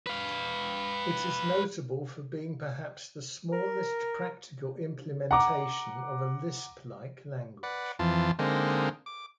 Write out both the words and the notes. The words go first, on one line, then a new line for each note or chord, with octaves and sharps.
It is notable for being perhaps the smallest practical implementation of a Lisp-like language.
B4 F5
A#4
F#5 A#5 D6
B4 D5 F#5
F2 E3 F4 A5
D3 G#3 A#3 C4 D#4
D6